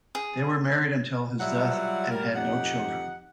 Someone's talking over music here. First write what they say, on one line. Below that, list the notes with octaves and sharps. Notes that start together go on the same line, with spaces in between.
They were married until his death and had no children.
G#4
F#3 G3 E4 F4 F#5
G3 A#3 A#4
F2 D#4 G4 F#5